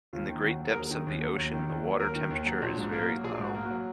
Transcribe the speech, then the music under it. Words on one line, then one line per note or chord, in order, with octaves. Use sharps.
In the great depths of the ocean the water temperature is very low.
D#2 F4
D#3
D#2 F#4
F#3
A#4
D#2 G#4
D#3
D#2
F#3
D#2
D#3
D#2
F#3
D#2 A#4
D#3
D#2
F#3
A#1
G#2
A#3
F#3
A#1 G#4
G#2
F#4
A#3
F#4
F#3